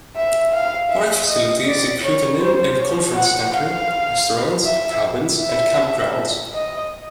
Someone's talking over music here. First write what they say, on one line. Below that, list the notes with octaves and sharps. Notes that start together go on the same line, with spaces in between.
Park facilities include an inn and conference center, restaurant, cabins, and campgrounds.
E5
F5
E5
D#5
D5
C#5
C5
C#5
F#5
F5
E5
E5
D#5